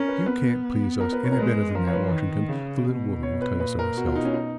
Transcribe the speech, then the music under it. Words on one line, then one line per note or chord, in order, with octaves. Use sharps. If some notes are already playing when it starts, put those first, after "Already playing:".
You can't please us any better than that, Washington; the little woman will tell you so herself.
Already playing: C#4 A#4
B4
B3 B4
A#4
B4
C#5
A#4
G#3 B4
F3 A#4
C#5
B4
D#3
C#3
B2
C#5
B4
A#2 B4
A#4
B2 F#4
F4
D#4
C#4
D#4